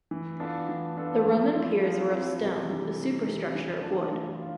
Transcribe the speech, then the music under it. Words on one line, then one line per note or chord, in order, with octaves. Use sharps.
The Roman piers were of stone, the superstructure of wood.
E3
B3 D4 F4 A4
E3
B3 D4 F4 A4
F3
C4 E4
F3
C4 E4
C3
E3 G3
C3
E3 G3
E3
A3 D4 F4
E3
F4